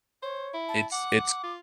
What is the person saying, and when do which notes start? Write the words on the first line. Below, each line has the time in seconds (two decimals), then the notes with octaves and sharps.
It's it's
0.22 C5 C#5
0.54 E4
0.69 A5
0.92 F#5 D6
1.43 F4